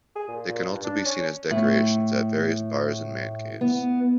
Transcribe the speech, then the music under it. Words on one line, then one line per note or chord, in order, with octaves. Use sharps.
They can also be seen as decorations at various bars and man caves.
G#4
A#2
A#2
G2
D4
C#4
A2
B3